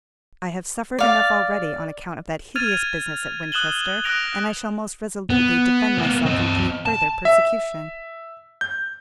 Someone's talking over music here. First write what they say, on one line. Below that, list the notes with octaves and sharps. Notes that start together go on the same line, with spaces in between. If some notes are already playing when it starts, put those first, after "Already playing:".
I have suffered enough already on account of that hideous business at Winchester, and I shall most resolutely defend myself from any further persecution.
D5 F5
F6 G#6 A6 D#7 F7
D#6 F#6 E7 F#7 G7
D#6 F#6 A#6 D7 F7
B3
A#3 B3
C4 D#5
A5
E5
G6